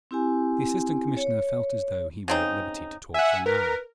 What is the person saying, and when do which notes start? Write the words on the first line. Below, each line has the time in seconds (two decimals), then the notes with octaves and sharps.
The Assistant Commissioner felt as though he were at liberty to talk for an hour.
0.11 C4 E4 G4 G#5
1.17 C#5
2.28 C#3 C4 D#4
3.14 E5 F#5 G#5
3.46 A#4 B4